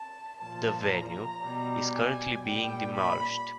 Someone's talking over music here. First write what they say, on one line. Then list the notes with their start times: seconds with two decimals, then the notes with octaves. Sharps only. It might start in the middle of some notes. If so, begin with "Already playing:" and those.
The venue is currently being demolished.
Already playing: A5
0.42 A#2 F3 A5
0.92 A#5
1.43 B2 G3
1.94 G#5
2.44 A#2 G3 G5
2.95 B5